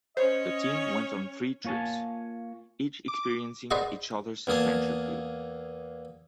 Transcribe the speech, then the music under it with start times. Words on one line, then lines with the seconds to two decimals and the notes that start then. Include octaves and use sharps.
The team went on three trips, each experiencing each other's adventure field.
0.17 C#4 C5 C#5 D#5
1.64 A#3 F4 C#5 G#5 A5
3.08 D6
3.71 G#4 B4 C5 D5 D#5 F#5
4.47 E2 A#3 G#4 A5